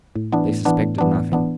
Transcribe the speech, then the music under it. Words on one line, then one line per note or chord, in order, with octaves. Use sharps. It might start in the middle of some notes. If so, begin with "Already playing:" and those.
They suspected nothing.
A2
E3 B3 D4
A2
E3 B3 D4
A2
E3 B3 D4
A2
E3 B3 D4